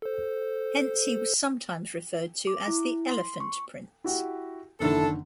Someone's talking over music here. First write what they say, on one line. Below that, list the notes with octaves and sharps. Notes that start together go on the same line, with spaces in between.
Hence, he was sometimes referred to as "the Elephant Prince".
A4 C5
D6
E4
C6
C#6
E4 F#4 G4
F#1 D3 D#3 D4 E4 A4